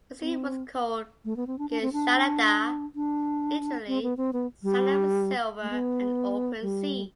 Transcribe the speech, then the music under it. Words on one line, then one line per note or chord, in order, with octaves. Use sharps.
The scene was called "ginshanada", literally "sand of silver and open sea".
C4
A3
B3
C4
D4
D4
C4
D4
D4
C4
B3
C4
B3
G3
A3
B3
G3